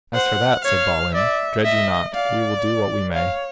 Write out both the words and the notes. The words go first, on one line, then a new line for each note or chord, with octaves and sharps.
As for that, said Balin, dread you not, we will do what we may.
C5 F#5
C#5 F5
D5 E5
D#5 E5
D5 F5
C#5 F5